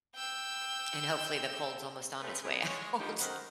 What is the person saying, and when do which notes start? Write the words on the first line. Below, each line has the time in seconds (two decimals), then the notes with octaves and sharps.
And, hopefully, the cold's almost on its way out.
0.15 G5 E6
2.22 A3 C4 C#4 G#4 B4
2.44 C3 F#3 B3 G#4
2.66 G#3 C#5
3.00 D3 F3 A#3 D#4 G4
3.20 F#2 D#3 A#4 C5 F#5